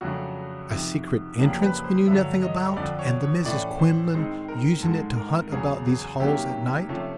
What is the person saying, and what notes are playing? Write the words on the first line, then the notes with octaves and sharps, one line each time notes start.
A secret entrance we knew nothing about and the Misses Quinlan using it to hunt about these halls at night!
F2 C#3 F#3 A3 D4 F#4
F2 C3 D#3
F2 C#3 F#3 A#3 D4 G4
B4
C5
G2 D3 F#3 E5
D#5
F2 D3 F3 D5
C#5
C#5
A2 E3 A3 C#4 D5
C5
D#3 G#3 C4 D#4 C5
A#4
G#2 D#3 G#3 A4
A#4
E2 C#3 F#3 G#4
G#4
C3 D#3 F#3 A#3 C#4 G4
C3 F3 A3 C#4